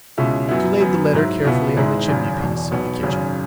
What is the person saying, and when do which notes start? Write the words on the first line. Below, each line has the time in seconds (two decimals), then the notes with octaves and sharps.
She laid the letter carefully on the chimney-piece of the kitchen.
0.17 C#2 B2 G#3 C#4 E4
0.49 F#2 F#3 B3 E4
0.81 F#2 F#3 B3
1.13 G#2 F#3 E4
1.44 C#2 B2 B3 E4
1.77 G#1 G#2 G#3 E4
2.08 G#1 F#2 C#3
2.40 E1 E2 B2
2.71 B1 B2 B3
3.03 G#1 F#2 C#3 F#3 C#4